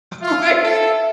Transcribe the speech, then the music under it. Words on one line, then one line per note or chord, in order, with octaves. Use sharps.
All right.
F4 E5
A4